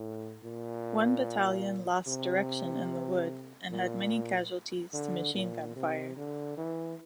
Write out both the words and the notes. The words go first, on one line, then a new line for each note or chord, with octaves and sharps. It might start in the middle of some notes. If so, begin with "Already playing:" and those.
One battalion lost direction in the wood and had many casualties to machine-gun fire.
Already playing: A2
A#2
C3
A#2
D3
A#2
C3
D3
E3